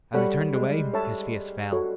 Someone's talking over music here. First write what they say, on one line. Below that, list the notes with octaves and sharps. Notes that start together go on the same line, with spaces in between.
As he turned away his face fell.
G3 A4 C#5 F#5 B5
G#3
A4 C#5 E5 A5
F#4 A4 C#5